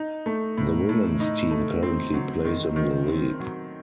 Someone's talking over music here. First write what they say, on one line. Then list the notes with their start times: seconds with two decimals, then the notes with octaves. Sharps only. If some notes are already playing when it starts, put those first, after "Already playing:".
The Womens team currently plays in the league.
Already playing: D#4
0.26 A3
0.57 A2
0.89 A2
1.20 D#4
1.51 A3
1.83 C4
2.14 F#3
2.45 D#3
2.76 D#3
3.08 C4
3.40 F#3